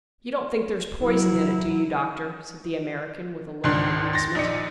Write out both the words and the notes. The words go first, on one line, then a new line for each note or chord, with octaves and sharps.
"You don't think there's poison in it, do you, doctor?" said the American, with a look of amusement.
F#3 E4
G#1 C#2 D#3 D4 C6 F#6
C6 A6 A#6
A#1 D#4 D5 C#7